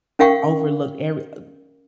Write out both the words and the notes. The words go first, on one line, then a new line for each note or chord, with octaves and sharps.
overlooked every, uh
C#4 A#4 E5 F5 G5 C#6